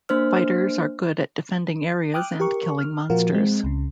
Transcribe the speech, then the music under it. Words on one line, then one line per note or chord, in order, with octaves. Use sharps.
Fighters are good at defending areas and killing monsters.
A#3 D4 C5 F6
G5 D6 D#6 F6 F#6
G4 A#4 C#6
F6
A#2 F3 F4 F#4 A#4
G#3 C4
C#2 C#3